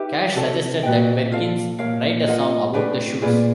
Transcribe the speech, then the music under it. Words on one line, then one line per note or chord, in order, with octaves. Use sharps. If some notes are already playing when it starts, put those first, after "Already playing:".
Cash suggested that Perkins write a song about the shoes.
Already playing: D#4 G4 B4 E5
C3 F#4 A4 C#5
A#2 F#4 B4 D#5 G5
F4 A4 D5 F5
A#2 A#4 C#5 F5
F4 A#4 D#5 F#5
A2 D4 G4 B4 D5
A#2 F4 G#4 B4 D5